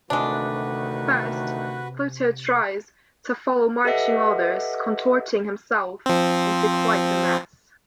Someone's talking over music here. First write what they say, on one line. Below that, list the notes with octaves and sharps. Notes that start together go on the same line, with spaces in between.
First, Pluto tries to follow marching orders, contorting himself into quite a mess.
D2 C3 D#3 G#3 A3 D4 F#4 B4
G4 A4 B4 D#5 E5 F#5
F3 C4